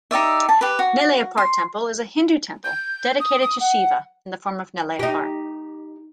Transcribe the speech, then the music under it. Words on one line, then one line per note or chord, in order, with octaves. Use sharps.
Nellaiappar Temple is a Hindu temple dedicated to Shiva in the form of Nellaiappar.
D#4 G4 D5 E5
A5
G4 B4
F#4
C6
G6
D#6
D#6
F#5
D#4 G4